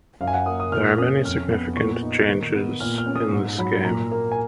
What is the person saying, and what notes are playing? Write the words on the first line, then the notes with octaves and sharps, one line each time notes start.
There are many significant changes in this game.
F#2 F5
G#5
F#5
A#3 D#6
D#6
A#2 F6
C#4 D#6
F2 F6
B3
A#2 C#6
D#4
D#3
B3
A#2 F6
F6
C#4
D#6
G#2
F#3 B5
A#2 A#5
A#3
G#5